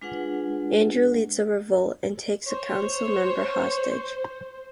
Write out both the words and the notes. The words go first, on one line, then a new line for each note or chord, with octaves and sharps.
Andrew leads a revolt and takes a Council member hostage.
G#3 D4 F4 G#4 B4 F#5
C5 C#5